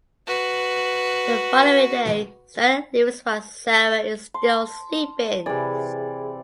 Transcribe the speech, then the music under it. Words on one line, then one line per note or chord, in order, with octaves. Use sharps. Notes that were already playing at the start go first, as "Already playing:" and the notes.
The following day Stella leaves while Sarah is still sleeping.
F#4 B4
A5 C6
C3 E3 G#4 D5